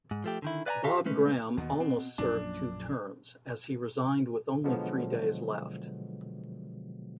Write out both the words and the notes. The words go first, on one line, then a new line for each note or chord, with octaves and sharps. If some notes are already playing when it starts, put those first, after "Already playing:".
Bob Graham almost served two terms, as he resigned with only three days left.
G#2
F3 A3 G4
D3 D#3 E4
B4 D5 F5 G5 G#5 A#5
F#4 G4 A4 E5 F5
G#3 A3 C#4 B4
D#2 B2 D#3
C4
A#1 F#2 A#2 D4
B2 D3 F3 F#3 G#3 B3